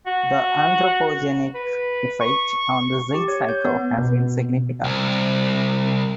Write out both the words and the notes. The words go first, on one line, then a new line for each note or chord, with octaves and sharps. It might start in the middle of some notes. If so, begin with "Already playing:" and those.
The anthropogenic effect on the zinc cycle has been significant.
F#4
B4
C#6
G4
C#5
G6
B3
B2
C2